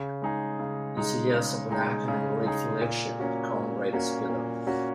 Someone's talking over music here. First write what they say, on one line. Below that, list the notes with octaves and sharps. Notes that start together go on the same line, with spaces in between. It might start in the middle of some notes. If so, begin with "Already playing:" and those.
You suggest a black and ungrateful action, Comrade Spiller.
Already playing: C#3
G#3 D#4 G#4
C#3
G#3 D#4 G#4
C#3
G#3 D#4 G#4
C#3
G#3 D#4 G#4
A#2
A#3 C#4 F#4
A#2
A#3 C#4 F#4
A#2
A#3 C#4 F#4